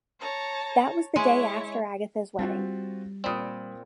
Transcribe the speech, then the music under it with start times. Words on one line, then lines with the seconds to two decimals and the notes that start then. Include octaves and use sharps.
That was the day after Agatha’s wedding.
0.19 C#5 A5 A#5
1.16 G#3 E4 C#5
2.39 G3 C4 F4 F#4
3.24 A#2 C4 D5 B5 D#6